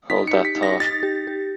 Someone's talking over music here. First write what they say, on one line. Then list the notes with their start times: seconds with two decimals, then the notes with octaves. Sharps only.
Hold that thought.
0.10 D#4 B6
0.27 C#7
0.34 G4
0.45 B6
0.56 D#4
0.63 A#6
0.80 D#4 A6
1.03 G4
1.27 G4